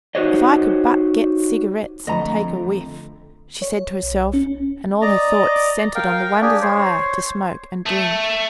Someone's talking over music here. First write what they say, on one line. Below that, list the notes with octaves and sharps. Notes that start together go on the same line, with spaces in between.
"If I could but get cigarettes and take a whiff!" she said to herself, and all her thoughts centred on the one desire to smoke and drink.
D#4 F#4 G4 C5 C#5 D#5
F2 D3 A3 D#5 F#5 A#5 B5
C#5
B1
C#4
D5 D#5 A#5
A#4 F5 G5
D4 G4 G#4
C5 C#5
A3